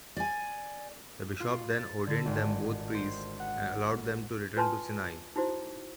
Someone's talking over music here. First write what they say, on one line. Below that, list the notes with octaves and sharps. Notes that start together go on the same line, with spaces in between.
The bishop then ordained them both priests and allowed them to return to Sinai.
D5 G#5
F4
A6
D3
G#1
C5
F#5
F4 B4 G#5 A5 C6
D#4 E4 F#4 C5